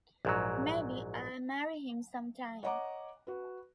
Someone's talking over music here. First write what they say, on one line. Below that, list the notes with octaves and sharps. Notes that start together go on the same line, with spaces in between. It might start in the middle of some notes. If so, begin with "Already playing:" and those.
Maybe I'll marry him some time.
A#1 G#2 F#3
C#5 D#5 F#5 A#5 D6
F#4 B4